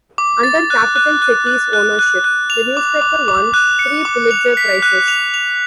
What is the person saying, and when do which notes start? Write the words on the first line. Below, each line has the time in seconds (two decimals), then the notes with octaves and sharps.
Under Capital Cities ownership the newspaper won three Pulitzer Prizes.
0.18 D6
0.43 A6
0.70 F#6
0.96 F#6
1.22 F#6
1.47 F#6
1.73 F#6
1.99 F#6
2.24 F#6
2.50 F7
2.77 D6
3.02 D6
3.28 D6
3.54 F#6
3.79 C#7
4.05 D6
4.31 F7
4.57 B6
4.82 F#6
5.08 F7
5.34 F7